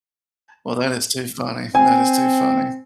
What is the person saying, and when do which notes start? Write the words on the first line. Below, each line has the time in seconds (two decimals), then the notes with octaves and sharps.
Well, that is too funny, that is too funny.
1.75 C4 G#5